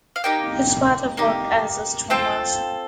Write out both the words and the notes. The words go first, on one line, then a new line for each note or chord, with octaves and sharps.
His father worked as stonemason.
F5
A#3 D#4 G4 G5
A#3 D#4 G4
C4 F4 A4 G5